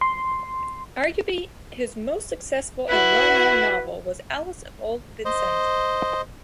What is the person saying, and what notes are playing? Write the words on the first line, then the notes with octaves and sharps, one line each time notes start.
Arguably his most successful and well-known novel was "Alice of Old Vincennes".
C6
E4 F#4 B4
C5 D#5